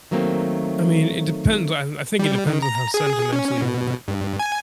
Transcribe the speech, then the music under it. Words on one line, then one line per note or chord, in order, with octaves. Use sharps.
I mean, it depends. I I think it depends on how sentimental you are
D#3 F#3 A3 A#3 C4
G3
D#3
A#5
G#4
C#4
B2
G2
G#5